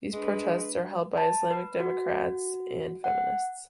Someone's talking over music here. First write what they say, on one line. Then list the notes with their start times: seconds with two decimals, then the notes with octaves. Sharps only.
These protests are held by Islamic democrats and feminists.
0.13 G#3 D4 B4
1.18 A5
1.51 B4
1.80 F#4
3.04 F#5